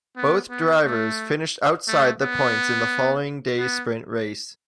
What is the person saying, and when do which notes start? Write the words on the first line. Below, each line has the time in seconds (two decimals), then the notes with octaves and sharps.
Both drivers finished outside the points in the following day's sprint race.
0.17 B3
0.50 B3
0.85 A3
1.88 A3
2.21 B3
3.58 B3